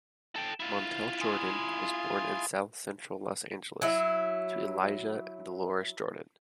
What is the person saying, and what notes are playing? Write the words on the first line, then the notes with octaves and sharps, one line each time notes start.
Montell Jordan was born in south central Los Angeles to Elijah and Deloris Jordan.
A4 G5
E4 F4
G#5 C6 D#6
F#3 E4